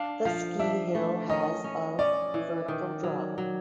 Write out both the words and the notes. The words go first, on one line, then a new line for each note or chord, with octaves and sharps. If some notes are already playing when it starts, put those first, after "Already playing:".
The ski hill has of vertical drop.
Already playing: D4 F5
F3 F5
D4 E5
A3
C#4 D#5
C#4
C#4 D5
E3
D#3
F#3
F#3